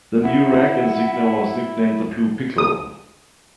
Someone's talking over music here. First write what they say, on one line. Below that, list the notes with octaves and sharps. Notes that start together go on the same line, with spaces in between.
The new rank insignia was nicknamed "the blue pickle".
E4 F#5
D#6